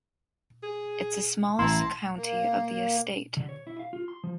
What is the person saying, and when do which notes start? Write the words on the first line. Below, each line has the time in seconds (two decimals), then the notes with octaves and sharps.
It’s the smallest county of the Estate.
0.63 G#4
1.59 A1 E3 E4 A5 A#5 C6
2.17 A#3
3.37 D3
3.49 C#5
3.67 E4
3.79 F5
3.93 F4
4.08 C6
4.24 F3